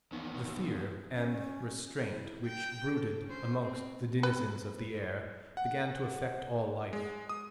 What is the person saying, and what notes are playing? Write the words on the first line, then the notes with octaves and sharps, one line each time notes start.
The fear and restraint which brooded amongst the denizens of the air began to affect all life.
E2 D#3
C#4
E4
G5
A4
C#4 C5
C4
B4
F#5
G#3
D#6